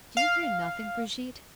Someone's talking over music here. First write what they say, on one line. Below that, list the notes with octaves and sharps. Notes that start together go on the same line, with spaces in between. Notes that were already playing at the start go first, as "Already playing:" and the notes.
Do you hear nothing, Brigitte?
F5